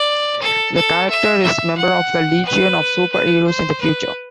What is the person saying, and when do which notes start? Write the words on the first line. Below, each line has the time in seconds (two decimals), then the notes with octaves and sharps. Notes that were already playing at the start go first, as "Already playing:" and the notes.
The character is a member of the Legion of Super-Heroes in the future.
Already playing: D5
0.42 A4
0.75 A4
1.10 E5
1.43 E5
1.78 F#5
2.45 B4
3.12 B4
3.47 C5
3.81 B4